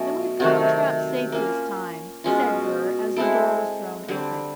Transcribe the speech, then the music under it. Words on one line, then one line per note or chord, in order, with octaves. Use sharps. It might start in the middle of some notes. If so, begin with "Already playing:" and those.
"Then we've got 'em trapped safe this time," said Gurr, as the door was thrown open.
Already playing: B2 F#3 A3 C#4
C3 D#3 F#3 A3
A#3 C#4 F4
B2 G#3 C#4 F4
G#3 C4 E4 A4
D3 G3 C4